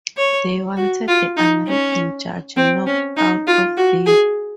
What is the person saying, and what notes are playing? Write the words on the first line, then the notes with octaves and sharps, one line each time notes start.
They wanted the American judge knocked out of there.
C#5
F#4
F4
D#4
C#4
C4
C#4
D#4
F4
F#4
G#4